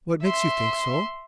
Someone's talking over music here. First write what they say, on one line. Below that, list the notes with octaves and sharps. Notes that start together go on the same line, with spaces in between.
"What makes you think so?"
E5 C6